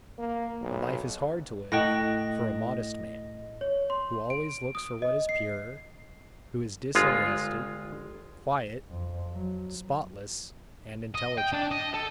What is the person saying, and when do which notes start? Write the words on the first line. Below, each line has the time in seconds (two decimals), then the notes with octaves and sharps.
But life is hard to live for a modest man, who always looks for what is pure, who is disinterested, quiet, spotless, and intelligent.
0.18 A#3
0.62 B1
1.72 A2 D#5 F#5 G5 A#6
3.61 C#5
3.90 C6
4.30 D7
4.75 D#6
5.02 D#5
5.29 C7
6.95 G1 G#3 F4
8.90 F2
9.32 F#3
11.15 D#5
11.38 G5
11.53 D4
11.71 D#5
11.94 A4